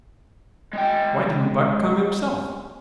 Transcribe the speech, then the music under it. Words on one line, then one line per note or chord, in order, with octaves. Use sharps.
"Why didn't Buck come himself?"
G#3 G5